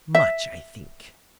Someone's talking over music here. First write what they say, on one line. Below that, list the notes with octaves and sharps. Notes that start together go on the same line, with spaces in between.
Much, I think.
E5